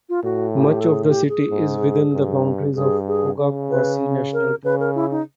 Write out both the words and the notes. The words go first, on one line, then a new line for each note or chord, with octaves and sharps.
Much of the city is within the boundaries of the Oga Quasi-National Park.
F4
A2 F#4
G4
A4
G#4
G4
G#4
G#2
G2
G2 G#4
G#4
C#3
B4
A#4
C#3 B4
A#4
E4
D#4